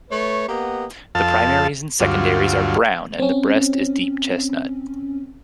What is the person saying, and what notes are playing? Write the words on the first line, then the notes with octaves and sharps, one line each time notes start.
The primaries and secondaries are brown and the breast is deep chestnut.
A3 B4 C#5
A#3 B3 G4 D#5 F#5
F2 A4 F5 A5
D2 G2 F#3 F4
C4 C#4